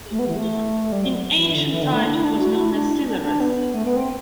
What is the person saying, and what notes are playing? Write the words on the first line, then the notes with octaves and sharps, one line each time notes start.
In ancient times it was known as Silarus.
A3
B3
E3
A3
G3
F#3
E3
D3
E3
D3
A3
D4
E4
D4
F#4
E4
D4
D4
C4
D4
B3
A3
B3
C4